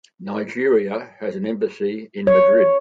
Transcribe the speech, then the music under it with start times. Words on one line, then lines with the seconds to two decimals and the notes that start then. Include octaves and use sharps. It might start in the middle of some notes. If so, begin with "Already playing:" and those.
Nigeria has an embassy in Madrid.
2.27 C#5